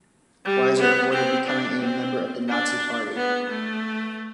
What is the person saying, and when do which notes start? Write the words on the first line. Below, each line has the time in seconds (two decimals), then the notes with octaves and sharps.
Weiser avoided becoming a member of the Nazi Party.
0.45 G3
0.79 B3
1.13 C4
1.47 D4
1.81 C4
2.48 D4
3.16 B3
3.50 A3